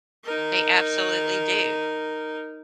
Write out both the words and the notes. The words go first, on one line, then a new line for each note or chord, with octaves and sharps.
They absolutely do.
D#4 A#4